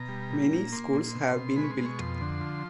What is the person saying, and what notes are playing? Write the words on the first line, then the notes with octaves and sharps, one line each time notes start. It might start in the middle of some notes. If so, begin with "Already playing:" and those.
Many schools have been built.
Already playing: B2 A#5
G3
A#2
A#2
A#3 C6
A#2
B2
B2
G#3 B5
C#6
C6
B2
C#6
F2 C6
D3
F3